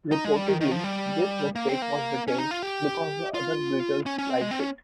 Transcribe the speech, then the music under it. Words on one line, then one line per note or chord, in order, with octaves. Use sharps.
Reportedly, this mistake was retained because the other Beatles liked it.
D#4
G#3
G3
D#3
D#3
F3
G3
A#3
C4
A#3
C#4
D#4
F4
G4
F4
C#4
C#4
C4
G#3
C4
C#4